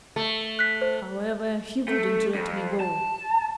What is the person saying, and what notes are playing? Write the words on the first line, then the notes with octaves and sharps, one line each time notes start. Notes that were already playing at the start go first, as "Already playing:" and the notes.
However, he wouldn't let me go.
A3
F#6 B6
C5
A3
F2
A5